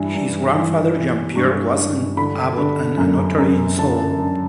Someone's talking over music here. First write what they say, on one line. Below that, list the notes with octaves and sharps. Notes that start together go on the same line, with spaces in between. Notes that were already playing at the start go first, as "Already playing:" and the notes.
His grandfather Jean-Pierre was an abbot and a notary in Soule.
Already playing: G2 E3
G2
E3
E3
G2 C#6
G2
D3 B5
D3
F#2
F#2
D3 A5
D3